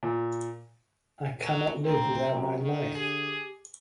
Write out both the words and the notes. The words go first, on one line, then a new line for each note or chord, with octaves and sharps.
I cannot live without my life!
A#2
F#3
D2 C4 G5 A#5
F#2
D3 D#3
G4 G#4